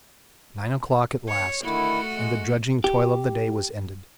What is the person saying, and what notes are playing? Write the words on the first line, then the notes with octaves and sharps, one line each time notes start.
Nine o'clock at last, and the drudging toil of the day was ended.
C#5
D3 D#3 A3 E4 F#4
G#3
G4